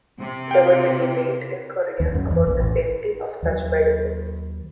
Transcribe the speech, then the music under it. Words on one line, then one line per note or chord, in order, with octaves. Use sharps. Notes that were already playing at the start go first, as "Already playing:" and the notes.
There was a debate in Korea about the safety of such medicines.
C3
F5 G5
D#2
F#2
E2
A#1
A1
D#2 F#3